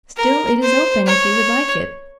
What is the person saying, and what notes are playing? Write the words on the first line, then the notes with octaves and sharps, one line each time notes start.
Still it is open, if you would like it.'
A#4
C5
C#5